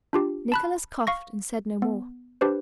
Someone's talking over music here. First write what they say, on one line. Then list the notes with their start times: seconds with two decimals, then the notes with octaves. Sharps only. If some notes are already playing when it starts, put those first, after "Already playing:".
Nicholas coughed and said no more.
0.13 D4 F4 G4
0.52 A5 B5 F#6
1.07 F5 C#6 A#6
1.82 B3
2.41 D4 G4 B4 C5